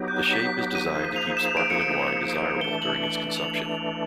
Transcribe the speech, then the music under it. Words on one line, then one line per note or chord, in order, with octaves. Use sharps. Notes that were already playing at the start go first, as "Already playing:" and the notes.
The shape is designed to keep sparkling wine desirable during its consumption.
Already playing: F#3 B3 D#4 G4
G6
F#6
B6
D#7
F3 A#3 D#4 G#4 C5
F7
E7
D7
C#7
D7
E3 A3 D4 G7
F#7
F#7
G7
F7
F#7